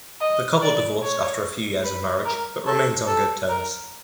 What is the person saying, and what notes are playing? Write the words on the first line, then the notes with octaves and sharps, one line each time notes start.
The couple divorced after a few years of marriage, but remains on good terms.
D#5
D5
C#5
B4
A#4
A4
A4
A#4